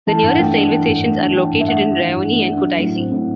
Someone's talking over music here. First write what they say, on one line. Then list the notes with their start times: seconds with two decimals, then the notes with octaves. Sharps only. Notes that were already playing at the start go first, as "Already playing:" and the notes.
The nearest railway stations are located in Rioni and Kutaisi.
0.07 E3 A5
0.22 G2
0.29 F#5
0.39 A3 G5
0.55 D4
0.71 E3 G5
0.87 G2
1.04 A3
1.19 D4
1.35 E3 G5
1.52 G2
1.60 E5
1.68 A3 F#5
1.84 D4
2.00 E3
2.15 G2
2.32 A3
2.48 D4
2.65 F#3
2.79 A2
2.96 C4
3.12 A2